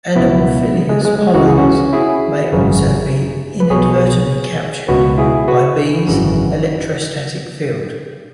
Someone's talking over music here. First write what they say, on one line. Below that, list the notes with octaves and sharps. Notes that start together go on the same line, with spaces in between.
Anemophilous pollens may also be inadvertently captured by bees' electrostatic field.
C#2 B2 B3 E4
G#3
G#3
G#3
C#2 C#3 E3 F#4
G#4
C#4 F#4
E4 G#4
G#1 F#2 C#3
B4
B1 B2 G#4 C#5
C#2 B2 F#4 B4
E4 G#4
F#4 B4
G#1 F#2 C#3 E3